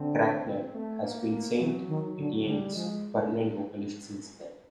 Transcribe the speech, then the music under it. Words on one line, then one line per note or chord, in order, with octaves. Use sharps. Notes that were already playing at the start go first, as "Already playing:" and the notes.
Cracknell has been Saint Etienne's permanent vocalist since then.
Already playing: D3 C4
A3
A#3
A#3
E3 F#3
D#3
D3
D3 G3
F3 G#3